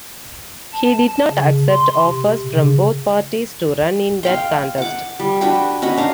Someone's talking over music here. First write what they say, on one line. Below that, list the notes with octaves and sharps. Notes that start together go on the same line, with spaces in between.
He did not accept offers from both parties to run in that contest.
A5
C#3
C6
C3
C#3
F5 G5 C6
F#5 D6
G3
D4 F#4 B4 G5
C#4 F#4 D#5 B5
D4 F5 A#5